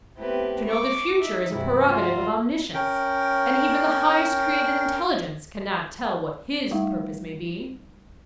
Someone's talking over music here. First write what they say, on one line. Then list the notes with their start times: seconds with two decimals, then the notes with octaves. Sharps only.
"To know the future is a prerogative of Omniscience, and even the highest created intelligence cannot tell what His purposes may be."
0.17 A3 B3 C4 E4 G4 B4
0.65 C#6 D6
1.18 D#4 E5
1.52 G2 C3 E3 F#3 E4
1.86 A3 F4 F#4
2.74 C#4 A#4 G5
6.71 G3 A3 D#4 E4 F5